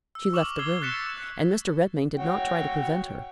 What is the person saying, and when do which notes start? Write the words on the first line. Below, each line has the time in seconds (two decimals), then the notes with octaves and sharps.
She left the room, and Mr. Redmain did not try to prevent her.
0.15 E6
0.33 C#6 D6 E6 F6 E7 F#7
0.59 D6 E6 G#6 C7 G7
0.81 C#6 F#6 A6 B6 C#7 E7
2.17 F#4 C#5 G5